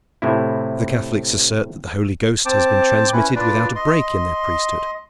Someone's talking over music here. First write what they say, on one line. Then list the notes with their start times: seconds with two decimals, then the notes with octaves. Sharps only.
The Catholics assert that the Holy Ghost has been transmitted without a break in their priesthood.
0.22 A2 C3 E4
2.46 C4 C5 A5 D6
3.13 C#4 E4 B4
3.36 D4 F4 B4 D5
3.75 D#5 C6